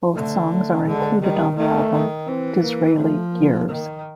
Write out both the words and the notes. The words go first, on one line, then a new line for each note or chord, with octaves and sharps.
Both songs are included on the album "Disraeli Gears".
D3 A3
A3
D3 G#3
D#3 G3
D#3 A3
D#3
E3 C4
A#3
F3 A3
A#3
D#3